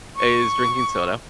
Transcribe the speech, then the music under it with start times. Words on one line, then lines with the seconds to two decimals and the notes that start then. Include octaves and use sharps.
is drinking soda.
0.16 C#6